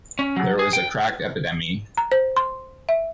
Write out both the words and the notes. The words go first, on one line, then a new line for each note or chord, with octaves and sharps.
There was a crack epidemy.
C#4
F#3
G#4
G5
A#5
C5
C6
E5